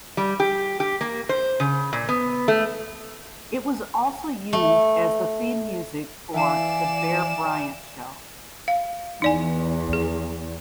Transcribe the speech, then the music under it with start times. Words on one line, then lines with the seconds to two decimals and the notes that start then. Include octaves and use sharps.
It was also used as the theme music for "The Bear Bryant Show".
0.17 G3
0.40 G4
0.80 G4
1.01 A#3
1.29 C5
1.60 C#3
1.93 A#2
2.09 B3
2.48 A3
4.53 A3
6.34 E3 D5 E5 F5 G#5 E7
8.68 F5
9.22 E2 D#4 D5 G#5
9.93 G#4